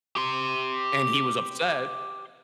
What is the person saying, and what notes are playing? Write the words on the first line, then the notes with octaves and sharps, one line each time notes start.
and he was upset
G4 C6